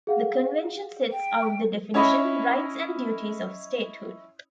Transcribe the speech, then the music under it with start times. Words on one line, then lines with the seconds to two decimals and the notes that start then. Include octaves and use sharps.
The convention sets out the definition, rights and duties of statehood.
0.07 G#4 F5 F#5
1.12 G5
1.94 C#4 E4 C#5 D#5 B5